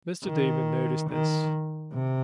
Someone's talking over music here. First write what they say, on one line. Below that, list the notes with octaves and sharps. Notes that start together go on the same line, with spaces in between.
Mr. Damon noticed this.
D#3
D#3
C3